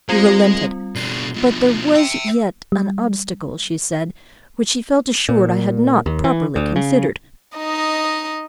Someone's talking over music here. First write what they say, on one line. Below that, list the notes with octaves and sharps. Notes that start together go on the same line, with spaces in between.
She relented; but there was yet an obstacle, she said, which she felt assured I had not properly considered.
G3 G#3 C4 F4
B2 D4 C7 G7
B2 F3
E5 G5 E6
G3
A#2
D#2
E3
D2
C#3
D#4 D#5